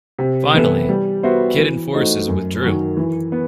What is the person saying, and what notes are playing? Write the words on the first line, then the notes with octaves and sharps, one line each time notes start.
Finally, Khitan forces withdrew.
C3
E3 B3 E4 A4
G3
B3 F#4 C5 E5
E3
A3 D#4 F#4 C5
F#2
D#3 F#3
E3
B3